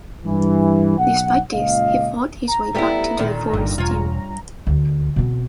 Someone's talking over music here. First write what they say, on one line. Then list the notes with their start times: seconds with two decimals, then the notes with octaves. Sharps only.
Despite this, he fought his way back into the Forest team.
0.24 G2 E3
0.98 B1 F#5
1.53 C#2 A#2 D#5 F5
2.48 A#5
2.75 G3 A3 B3 E4 G4
3.18 A#2 D3 D#3
3.53 G1 G2
3.78 E1 F4 C#5
4.67 D2
5.16 B2 C4